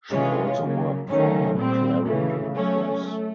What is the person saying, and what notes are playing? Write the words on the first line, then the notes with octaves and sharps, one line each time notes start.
She also worked for Clarendon Press.
C3 E3 G#3 C#4 F4
C#3 F#3 A#3
D#3 F#3 A3 C#4
A#2 G3 C4
C#3 E3 A3
F#3 A3 C#4
A3